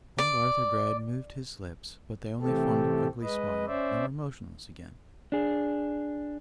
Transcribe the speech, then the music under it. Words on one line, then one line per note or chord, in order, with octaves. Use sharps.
Old Arthur Gride moved his lips, but they only formed an ugly smile and were motionless again.
D5
C3 E3 A3 C4 G4 A4
G#3 B4 D#5
C#4 C5 D5 E5
D4 G#4